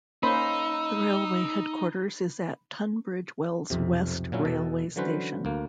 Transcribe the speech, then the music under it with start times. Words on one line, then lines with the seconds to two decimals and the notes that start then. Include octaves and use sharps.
The railway headquarters is at Tunbridge Wells West railway station.
0.23 A#3 C#4 D#4 C5 B5 E6
3.70 B1 F2 C3
4.32 A#2 F#3 C#4 E4
4.45 E2 B2 A4
4.96 D3 E3 F#3 C#4 B4 C5
5.45 D2 A#3